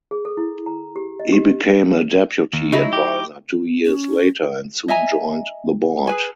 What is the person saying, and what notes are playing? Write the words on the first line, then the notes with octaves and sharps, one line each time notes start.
He became a deputy adviser two years later, and soon joined the board.
G#4
A4
E4
A#5
G4
D#5
G4
D#2
C#3 F#3 D#4 E4
G4
C#4
D#5 E5 G#5 A#5
G#4 B4 G#5